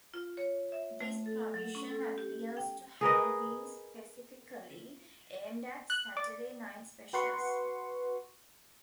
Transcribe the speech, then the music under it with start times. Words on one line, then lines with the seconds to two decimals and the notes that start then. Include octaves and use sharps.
This provision appears to have been specifically aimed at "Saturday night specials".
0.14 F4
0.37 C#5
0.72 E5
1.01 A3
1.26 A4
1.54 F#3
1.75 C#4
1.90 A4
2.18 G4
2.57 G5
3.01 G#4 A#4 B4 D#5
5.90 F#6
6.17 D5
7.13 F#4 B4 F#5 C6 C#6